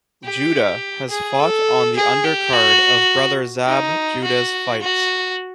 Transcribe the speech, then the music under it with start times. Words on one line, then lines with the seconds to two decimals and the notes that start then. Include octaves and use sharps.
Judah has fought on the undercard of brother Zab Judah's fights.
0.24 G4
1.10 G#4
1.39 A4
1.96 G#4
2.24 G4
2.53 F#4
3.67 D#4
4.24 F#4
4.81 F#4